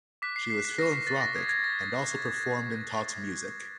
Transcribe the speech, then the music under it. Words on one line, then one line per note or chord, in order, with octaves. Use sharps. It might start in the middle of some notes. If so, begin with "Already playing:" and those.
She was philanthropic and also performed and taught music.
D6 F#6 B6
C7
C7
B6
C#6 F6 A#6
B6
A6
A#6
D#6 G#6
F#6
G#6
A#6
D6 F#6